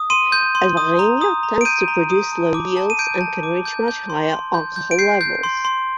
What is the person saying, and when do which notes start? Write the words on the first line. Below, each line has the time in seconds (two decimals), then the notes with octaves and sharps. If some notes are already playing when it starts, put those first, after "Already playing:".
Alvarinho tends to produce low yields and can reach much higher alcohol levels.
Already playing: D#6
0.10 C6 D#7
0.32 G6
0.55 C6
0.77 D#6
0.99 A#5
1.21 D#6
1.43 A#5
1.61 D7
1.65 G6 D#7
1.88 A#5
2.10 D#6
2.32 A5
2.54 D6
2.77 A5
2.90 D#7
2.99 G6 D7
3.21 A5
3.43 D6
3.65 G6
3.88 G6
4.10 C6
4.32 C6
4.54 G6
4.76 G6
4.91 D7
4.99 G6 C7
5.21 G6
5.43 C6
5.65 C6